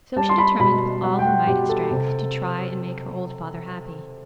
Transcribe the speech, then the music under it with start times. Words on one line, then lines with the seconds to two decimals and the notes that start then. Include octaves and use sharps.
So she determined with all her might and strength to try and make her old father happy.
0.16 G3 A5
0.29 C6
0.38 B5
0.60 B2 B5
1.03 G3 F#5
1.19 G5
1.26 F#5
1.47 B2 G4
1.69 A4
1.91 C3